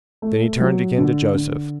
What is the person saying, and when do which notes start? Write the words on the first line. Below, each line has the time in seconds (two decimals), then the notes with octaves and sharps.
Then he turned again to Joseph.
0.22 A3
0.60 F#3
0.98 D3
1.34 D3